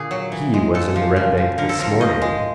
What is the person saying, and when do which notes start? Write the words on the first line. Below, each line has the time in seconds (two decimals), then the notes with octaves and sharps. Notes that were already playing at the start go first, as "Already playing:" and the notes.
He was in the Red Bank this morning.
Already playing: A#2 D3 G#4
0.11 F#3
0.32 E3
0.54 G#3
0.74 A#2 A4
0.96 F3
1.16 C#3
1.37 F3
1.58 D3 A#4
1.69 A4
1.79 F3 A#4
2.00 F3 D#5
2.22 G#3